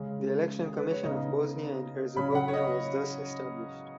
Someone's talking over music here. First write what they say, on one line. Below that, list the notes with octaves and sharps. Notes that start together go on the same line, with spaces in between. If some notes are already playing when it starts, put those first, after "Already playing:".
The Election Commission of Bosnia and Herzegovina was thus established.
Already playing: C#3 G#3 C#4
G#4
B4
C#5
C#3 B3 D#4 D#5
C#3 F#3 C#4 B5
F#5
C#5
D#5